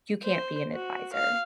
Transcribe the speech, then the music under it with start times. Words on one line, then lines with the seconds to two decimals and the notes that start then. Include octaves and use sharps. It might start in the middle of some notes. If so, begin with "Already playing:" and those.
you can't be an adviser."
0.24 C5
0.73 F#4
1.13 F5